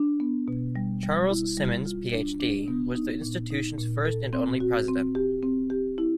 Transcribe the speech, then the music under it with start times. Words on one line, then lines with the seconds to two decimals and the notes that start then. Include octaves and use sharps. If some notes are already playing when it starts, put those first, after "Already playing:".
Charles Simmons Ph.D., was the institution's first and only president.
Already playing: D4
0.20 B3
0.48 B2
0.76 G3
1.03 G3
1.30 E4
1.57 G3
1.86 F4
2.13 D4
2.40 D4
2.68 B3
2.95 D#4
3.22 A#2
3.51 D#4
3.78 A#2
4.05 A4
4.33 C4
4.60 F#4
4.88 C4
5.15 G4
5.43 C4
5.70 G4
5.98 E4